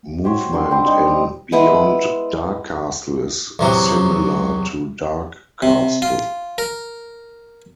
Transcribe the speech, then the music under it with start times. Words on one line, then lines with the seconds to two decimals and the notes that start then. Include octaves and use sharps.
Movement in "Beyond Dark Castle" is similar to "Dark Castle".
0.24 F#4 G4 C5 C#5
0.53 D3 G3 C6
0.71 G3 C4 C6
0.85 G3 D#4
1.05 A#5
1.52 G#3 B3 E4
3.59 E2 C3 F#3
5.62 C3
6.02 F4
6.58 A#4